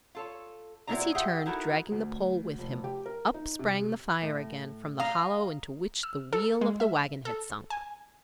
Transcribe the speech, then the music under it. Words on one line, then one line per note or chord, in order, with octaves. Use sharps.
As he turned, dragging the pole with him, up sprang the fire again from the hollow into which the wheel of the wagon had sunk.
F4 A4 C#5
A#2 F#3 C4 E4 D5 A#5
F4 G4 G#4 E5 F#5 G5
D#4 E4 F#4 A4 A#4
D2
F1
G4
A#4
D#4
C3
A2
F5 A#5 D#6
E6
A4
G#3
E5
A4
G#5